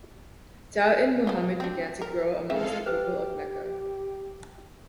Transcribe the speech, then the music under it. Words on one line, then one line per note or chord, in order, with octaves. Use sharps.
Doubt in Muhammad began to grow amongst the people of Mecca.
F4 G#4 A4
C4 D4
A#4
C#3 G#3 C4 A4 E5 F5
G4 B4 C5